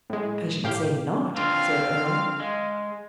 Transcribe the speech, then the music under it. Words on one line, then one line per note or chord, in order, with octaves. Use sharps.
"I should say not," said Earle.
A2 G#3
A2 G4 F5 G6
D3 C4 F4 F5
G#3